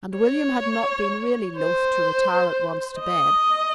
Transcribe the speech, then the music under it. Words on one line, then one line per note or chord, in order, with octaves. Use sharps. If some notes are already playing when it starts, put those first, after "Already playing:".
And William had not been really loth to retire at once to bed.
C#5
C5
D#5